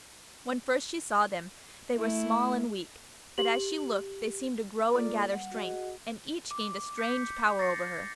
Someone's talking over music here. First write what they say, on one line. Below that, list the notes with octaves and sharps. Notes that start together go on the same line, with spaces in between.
When first she saw them, they were small and weak; but as she looked they seemed to grow and gather strength, and each gained a strange power over her.
A3 E4
G4 F#7
A#3 F4 A4 D5 A#5 D6
G3 F#5
F#4 G#4 D#5 F#5
D6
D6 G6 B6 C#7
A6 A#6 C7 C#7